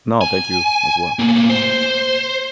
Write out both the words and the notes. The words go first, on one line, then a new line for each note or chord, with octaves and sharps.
No, thank you, as well.
G#5
A2 A#3
C5